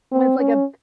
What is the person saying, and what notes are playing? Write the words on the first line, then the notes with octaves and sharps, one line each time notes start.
When it's, like, a
C4
C#4